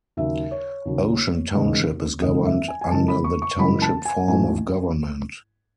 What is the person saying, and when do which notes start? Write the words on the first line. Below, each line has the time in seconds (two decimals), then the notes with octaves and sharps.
Ocean Township is governed under the Township form of government.
0.17 D#2 C#3 F#3 E5
0.51 C#5
0.85 D#2 C#3 F#3
1.54 E1 D#2 C#3 G#3
2.22 E1 D#2 C#3 G#3 D#5
2.45 E5
2.68 G#5
2.81 G#5
2.91 F#2 C#3 E3 G#3 A5
3.08 B5
3.24 C#6
3.42 C#6
3.59 F#2 C#3 E3 G#3 B5
3.82 A5
4.05 G#5
4.27 A1 G#2 F#3 A3 G#5